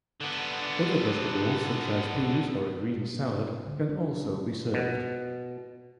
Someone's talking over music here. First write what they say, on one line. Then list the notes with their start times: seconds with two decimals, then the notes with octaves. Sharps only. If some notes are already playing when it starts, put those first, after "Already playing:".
Other vegetables such as peas or a green salad can also be served.
0.21 D3 B3
3.67 D3
3.89 D4
4.25 C#4
4.74 B2